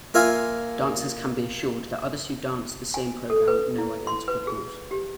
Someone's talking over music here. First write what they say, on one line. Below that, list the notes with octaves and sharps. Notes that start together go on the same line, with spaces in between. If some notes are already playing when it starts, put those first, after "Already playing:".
Dancers can be assured that others who dance the same program know identical calls.
A#3 F4 E5 F5 G#5
G#5
A4
B4
E4
C6
B4
G#4
G4